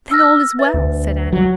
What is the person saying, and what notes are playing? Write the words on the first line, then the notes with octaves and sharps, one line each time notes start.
"Then, all is well," said Annie.
E6 F6 A#6
B4 E5 A6
D2
F#3